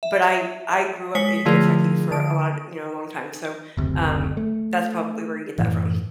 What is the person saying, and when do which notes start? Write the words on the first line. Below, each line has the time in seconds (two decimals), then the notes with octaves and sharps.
but I I grew up in Kentucky for a lot, you know, long time, so, um, that's probably where you get that from.
0.03 E5
1.15 G#3 C#5 B6 C7
1.45 D3 F3 A3 F4 G#4 A#4
2.11 D3 D#6 D7
3.77 F#1 D2 C3
4.37 A3
5.58 F#2 A2 E3